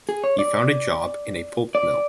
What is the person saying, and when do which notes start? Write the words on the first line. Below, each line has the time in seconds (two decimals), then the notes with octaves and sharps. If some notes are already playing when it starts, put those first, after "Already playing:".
He found a job in a pulp mill.
0.09 G#4
0.24 C#5
0.39 D5
1.75 D5